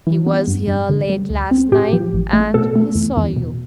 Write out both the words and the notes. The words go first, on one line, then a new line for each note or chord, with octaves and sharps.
He was here late last night, and he saw you.'
E3
B3
G2
G2
D3
G3
D2
C4
A2 G4
F3
A1
A3
B2 A4
A3
E2
E2
B2